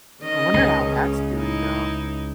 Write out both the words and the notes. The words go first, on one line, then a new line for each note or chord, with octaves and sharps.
I wonder how that's doing though.
D#3 C#4 D#5
C#2
C#3 C#4
D#4 E4